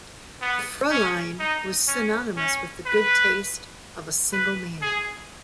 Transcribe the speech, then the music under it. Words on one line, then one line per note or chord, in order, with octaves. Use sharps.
The "Frua line" was synonymous with the good taste of a single man.
B3
C#4
D#4
C#4
C#4
B4
B4
G#4